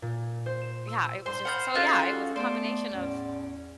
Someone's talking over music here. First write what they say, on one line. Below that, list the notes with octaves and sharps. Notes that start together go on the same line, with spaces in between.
yeah, it was just so yeah, it was a combination of
A#2
C5
E7
E6
G#2 F#3 G3 C5 C6
F#5 B5 F6 G6
C#4 D#4 F4 F#4 G#4 A4
A3 B3 C5 D5
E2 A2 C#4